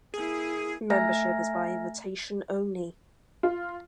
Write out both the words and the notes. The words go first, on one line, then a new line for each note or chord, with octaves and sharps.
Membership is by invitation only.
A#3 E4 G#4
A3 E5 G#5 A#5 F6 A#6
F4